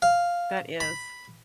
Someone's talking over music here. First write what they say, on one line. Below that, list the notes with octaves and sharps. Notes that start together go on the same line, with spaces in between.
That is.
F5
B5